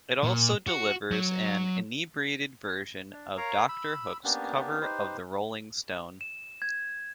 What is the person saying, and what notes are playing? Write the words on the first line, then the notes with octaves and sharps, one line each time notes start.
It also delivers an inebriated version of Doctor Hook's Cover of the Rolling Stone.
A#2
F#4
F#3
D4
A#4 C#5 F5 A#5
B5 E6
A#3 B3 C#4 D4 G4
D#4 G4 B4 C5
E7
G#6